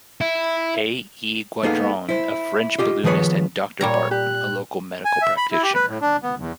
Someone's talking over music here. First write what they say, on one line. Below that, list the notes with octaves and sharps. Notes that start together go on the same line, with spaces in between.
A E Gaudron, a French balloonist and Doctor Barton, a local medical practitioner.
E4
A#3 B3 D#4 G#4 A4 F5
E4 C5
F4 G4 D#5
D#3 F3 B3 G#4 B4 C#5
A#2 G3 C#5 A#5
G4 F#6
G#5
E5
B5
E4
G4
B4
A2
D4
B3
E2